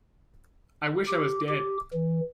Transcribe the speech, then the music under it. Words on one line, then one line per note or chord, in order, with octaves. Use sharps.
I wish I was dead!
G4
G4
E3